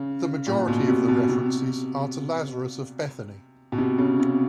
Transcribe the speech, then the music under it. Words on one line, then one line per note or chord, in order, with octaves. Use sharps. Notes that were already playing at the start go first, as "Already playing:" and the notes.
The majority of the references are to Lazarus of Bethany.
Already playing: C#3
A#2
B2
C3
B2
C3
B2
C3
C#3
C3